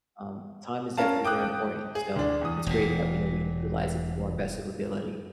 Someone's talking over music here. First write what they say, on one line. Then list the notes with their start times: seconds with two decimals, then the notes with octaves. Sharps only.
um, time is definitely very important, so it's great that we you know, we utilize it to our best of ability.
0.98 C#4 A#4 F5 A5
1.25 G5 D6 D#6 F#6
1.95 G#4
2.16 D2 D4
2.41 E2 D#6
2.66 E1 A#2